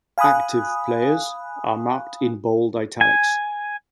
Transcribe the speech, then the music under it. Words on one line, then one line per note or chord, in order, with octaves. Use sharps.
Active players are marked in bold italics.
F5 G#5 B5 D#6 F#6
G#5